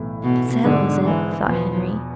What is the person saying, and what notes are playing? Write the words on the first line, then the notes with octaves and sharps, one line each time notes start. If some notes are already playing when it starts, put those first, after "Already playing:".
"That settles it," thought Henry.
Already playing: B1 A2 E3
B2
G#2 D3 G#3 D4
E3
E2 B2 F3 B3